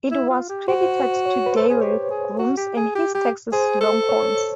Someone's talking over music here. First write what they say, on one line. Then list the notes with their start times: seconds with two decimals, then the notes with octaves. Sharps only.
It was credited to Dewey Grooms and his Texas Longhorns.
0.11 E4
0.30 F4
0.49 G4
0.68 F#4 C5
1.26 C#5
1.46 B4
1.53 C5
1.57 A4
1.70 G#4
1.81 G4 C#5
2.10 G#4
2.39 F#4
2.57 G4
2.76 G#4
2.95 G4
3.14 G4
3.52 G#4 C5
3.81 A4
4.09 C#5